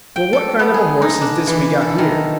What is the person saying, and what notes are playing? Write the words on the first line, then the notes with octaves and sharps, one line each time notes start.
Well, what kind of a horse is this we got here?
G5
A4
B3
G#4
D#4
D4
E3
A4
D#3